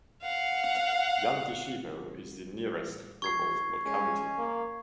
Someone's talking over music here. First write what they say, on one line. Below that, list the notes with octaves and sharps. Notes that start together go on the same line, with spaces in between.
Yantyshevo is the nearest rural locality.
F5 F#5
C#6 G#6 C7
G#3 C#4
A#3